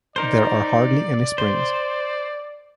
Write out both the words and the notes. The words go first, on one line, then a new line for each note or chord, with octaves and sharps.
There are hardly any springs.
D#4 A#4 C5 D5
C5